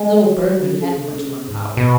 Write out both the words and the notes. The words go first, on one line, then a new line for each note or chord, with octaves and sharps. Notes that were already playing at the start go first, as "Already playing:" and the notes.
Little Bergmann hadn't much lung power.
Already playing: G#3
F#3
D3
C#3
D3
C#3
G#2
B2